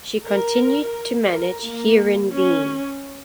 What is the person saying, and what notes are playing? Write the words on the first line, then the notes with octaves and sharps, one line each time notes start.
She continued to manage Heerenveen.
A#4
A#4
A#3
C#4